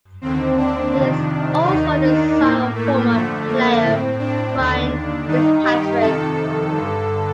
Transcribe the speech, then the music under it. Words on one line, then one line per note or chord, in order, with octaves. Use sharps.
He is also the son of former player Brian Fitzpatrick.
D#2 D3 C4
D4
F2 C3 D#3
D#2 D#3 D#4
D4
A2 A#3
A3
F2 D3 A3
A#3
A2 C4
D4
D#2 D3
G2 D#3 D#4
G4
F2 C3 D#3 A4
G2 D3